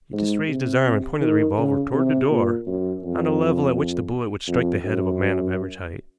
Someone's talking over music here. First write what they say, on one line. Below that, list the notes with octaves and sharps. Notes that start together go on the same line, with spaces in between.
He just raised his arm and pointed the revolver toward the door, on a level at which the bullet would strike the head of a man of average height.
G#2
C3
D#3
C#3
C3
A#2
F#2
F2
F2
F#2